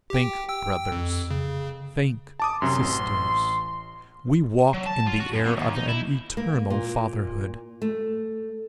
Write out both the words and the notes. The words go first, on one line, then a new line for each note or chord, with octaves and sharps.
Think, brothers, think, sisters, we walk in the air of an eternal fatherhood.
G4 G5
G5 E6
F2
C#3
A5 D6 D#6
F#2 C3 C6
A1
F#3
A5
F4
F#4
F#2
B2
D#2
D#4
E4
A#3
A#2
A3